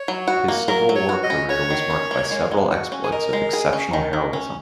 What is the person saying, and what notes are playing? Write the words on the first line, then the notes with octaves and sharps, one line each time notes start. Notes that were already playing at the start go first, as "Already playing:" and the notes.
His Civil War career was marked by several exploits of exceptional heroism.
Already playing: C#5
F#3
F#4
A#3
F#3 A#4
F#3
C#5
F#4
D#5
C#4
F#4 C#5
D#3
C#4
A#3
G#3
G#3
F#4
C#4
G#4
A#4 D#5
G#3
G#4
C#4
D#3
D#3
C#4